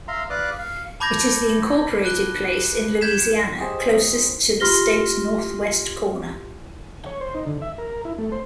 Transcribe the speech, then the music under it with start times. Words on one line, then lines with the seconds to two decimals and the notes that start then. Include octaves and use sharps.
It is the incorporated place in Louisiana closest to the state's northwest corner.
0.08 E5 F5 A#5 C6
0.30 B4 D5 F5 D6 D#6 F#6
0.59 F5
1.00 A5 B5 D6 G6 G#6 A#6
2.05 F#6 D7 G7
3.01 G6 G#6 B6 E7
3.59 G4 G#4 C5 D#5
4.60 F4 G4 C6 F6 A#6 G7
7.06 C#5
7.21 C5
7.35 D#4
7.46 D3
7.62 E5
7.78 A#4
8.05 E4
8.18 A3
8.32 C5